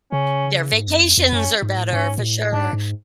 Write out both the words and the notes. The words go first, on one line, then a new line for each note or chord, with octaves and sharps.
their vacations are better for sure.
C#3 C#4
G#2
F#2
F2
F2
F#2 C#4
G#2
A2
G#2 C#4
A#2
A2
G#2 D4
G#2